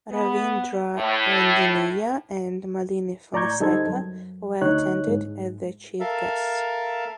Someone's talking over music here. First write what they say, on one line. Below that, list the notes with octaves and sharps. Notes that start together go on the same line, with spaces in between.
Ravindra Randeniya and Malini Fonseka were attended as the Chief Guests.
B3
A2
A2 D5 A#5 C#6 G6 G#6
D2 G3 D#4 A4 C5 G#6
F#2
D2 D#4 C#5 F#6
G#2
A4 A#4 E5 F5